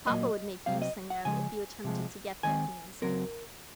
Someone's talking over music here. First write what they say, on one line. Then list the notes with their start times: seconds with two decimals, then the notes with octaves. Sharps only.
'Papa would make you sing out, if you attempted to get there,' he answered.
0.07 A#2 F#3 A#3 D#5
0.66 C3 F#3 C4 F5
0.82 D#5
1.10 F#5
1.25 C#3 F3 G#3 G#5
1.84 C3 F3 G#3
2.43 D#3 G#3 C4 G#5
3.02 C#3 F#3 C4 A#4